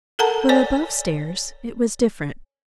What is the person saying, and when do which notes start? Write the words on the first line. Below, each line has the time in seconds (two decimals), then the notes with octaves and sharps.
But above-stairs it was different.
0.19 A4 A#4 F#5 A5 A#5
0.49 C#5 D5 G#5